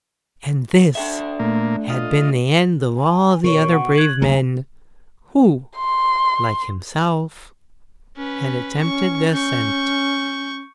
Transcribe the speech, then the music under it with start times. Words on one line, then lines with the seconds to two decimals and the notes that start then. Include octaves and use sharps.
And this had been the end of all the other brave men who like himself had attempted the ascent.
0.95 D4 A4 E5 G5
1.39 A#2 A3 A#3
1.89 F4 D#5
2.96 G#5
3.44 B2 A#4 C#5 C#6
3.73 F#5
3.96 F#6 G#6 F#7
4.22 F#1 D2 C#3 G#5 A#5
5.77 C6
8.16 C#4 B4
8.81 C#4 C#6
9.31 C#4 C#6 G6